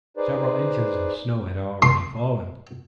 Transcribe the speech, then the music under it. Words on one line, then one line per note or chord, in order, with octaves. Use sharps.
Several inches of snow had already fallen.
D#4 G#4 B4 C5 D5
C6